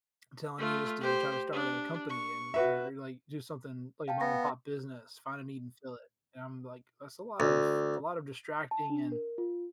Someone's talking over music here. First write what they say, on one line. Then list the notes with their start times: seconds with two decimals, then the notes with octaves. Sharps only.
telling me just to, "Try to start a company and or, like, do something, like, a mom-and-pop business, find a need and fill it." And I'm like, "That's a lot of a lot of distracting and
0.58 A3 F4
1.01 G4 C5
1.52 D4
2.10 C#6
2.54 F#4 B4 E5
4.08 F5 G5 A5
4.21 B3 A#6
7.40 D2
8.71 A5
8.90 D4
9.12 A#4
9.38 F4